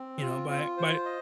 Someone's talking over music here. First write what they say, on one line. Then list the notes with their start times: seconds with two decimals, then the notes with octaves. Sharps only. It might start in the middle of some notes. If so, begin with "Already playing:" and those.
You know, by by
Already playing: C4
0.22 F4
0.49 F4
0.77 C5
1.05 D#5